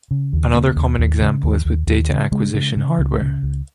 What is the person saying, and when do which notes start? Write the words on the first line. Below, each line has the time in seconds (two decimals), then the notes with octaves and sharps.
Another common example is with data acquisition hardware.
0.11 C#3
0.33 D#2
0.54 C#3 A#3
0.76 D#2
0.99 D#2
1.21 C#3
1.43 D#2
1.65 D#2
1.87 D#2
2.10 C#3
2.32 C#3 G#3
2.54 C#3
2.77 C#3
2.98 C#2
3.21 C#3
3.43 C#2